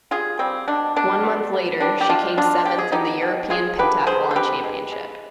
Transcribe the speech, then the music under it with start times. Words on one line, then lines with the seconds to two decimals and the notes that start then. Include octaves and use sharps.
One month later she came seventh in the European pentathlon championship.
0.11 G3 F4 G#4
0.39 G3 C4
0.68 B2 D4
0.96 B2 D4
1.25 B3
1.53 B3
1.80 G3 D4
2.01 G4
2.09 B2 D4 F4
2.38 B2 D4 F4
2.65 B2 G4
2.78 G#4
2.92 B3 D#4 G4
3.22 B2
3.50 G#3 F4 G#4
3.78 D3 G4 B4
4.07 D3 G#4 C5
4.31 C5
4.36 C4 G4 B4
4.64 G#3
4.92 G#3